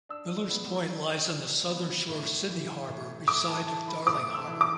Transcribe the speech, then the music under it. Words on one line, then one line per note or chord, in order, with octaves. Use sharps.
Millers Point lies on the southern shore of Sydney Harbour, beside Darling Harbour.
D4 E6
B3
D4
D4
B3
A2
E3
A2
A2 D6
A5
E3 A5
B5
A2 D6
E6
E3
D6